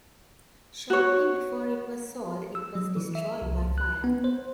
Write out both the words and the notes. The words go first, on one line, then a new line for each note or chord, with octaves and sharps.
Shortly before it was sold it was destroyed by fire.
F#4 C#5
E6
F#3
E3
E5
C2
C#2
F#6
B3
C5